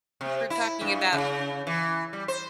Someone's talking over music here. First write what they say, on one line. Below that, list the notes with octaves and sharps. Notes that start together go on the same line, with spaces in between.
we're talking about,
C3
E4
G2
C#3
E3
G3
C5